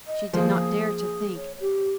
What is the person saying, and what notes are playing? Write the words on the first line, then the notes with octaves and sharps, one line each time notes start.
She did not dare to think.
D#5
F3 A#3 G#4
C#5
G4